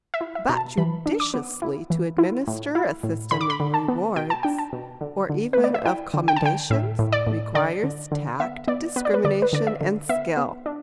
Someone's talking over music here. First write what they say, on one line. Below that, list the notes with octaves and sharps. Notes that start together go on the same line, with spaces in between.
But judiciously to administer a system of rewards, or even of commendations, requires tact, discrimination, and skill.
E5
E4
E5
B2
A5
E3 B5
D4
D6
B3
E4
E3
E4
A2
E4
A2
D3 B5
D6
B5
D3
A5
B3
B2 G5
A5
D4 G5
A5
B2
D3
D3
A3 B4
D5
E5
E4 G5
D3
G5
A5
D3 G5
A2 E5
A2
D5
A2
D3 D5
D3
D3
B3 E5
B3 D5
B3 B4
D5
B4
D3 D5
B4
D3 D5
E5
D3
B3 E5
B3
D4